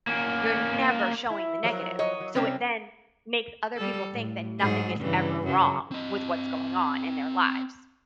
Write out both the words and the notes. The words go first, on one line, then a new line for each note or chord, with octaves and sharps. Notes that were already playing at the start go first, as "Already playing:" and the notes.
You're never showing the negative. So it then makes other people think that nothing is ever wrong with what's going on in their lives.
A#3 C#4
E4
F3 F#3 A#4
C#5 D#5
F#3
C3 G3 C4 C#4
G3 A4
A2
G#2 F#3 G#4
G2 C#3 E3
F#2 C#3 F#3
C4 D#5